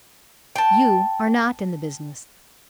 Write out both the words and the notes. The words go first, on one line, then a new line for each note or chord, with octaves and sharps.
You are not in the business.
G5 A5